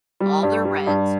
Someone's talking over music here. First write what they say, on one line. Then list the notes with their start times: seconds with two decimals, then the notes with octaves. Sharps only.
all their rent,
0.20 G3
0.43 G2
0.65 G3
0.87 G2